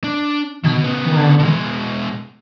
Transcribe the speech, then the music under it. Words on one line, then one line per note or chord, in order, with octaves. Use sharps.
like, wow.
D4
B2
C#3 B3
B2 G#3